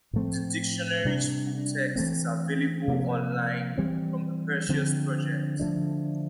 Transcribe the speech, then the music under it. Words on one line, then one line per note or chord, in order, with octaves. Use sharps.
The dictionary's full text is available on-line from the Perseus Project.
A2 F3 A3 C4
C3 G3 D4
E3 A3 C4
C3 F3 A#3
E3 G3 C4
D3 F3 C4
D3 F3 A3 D4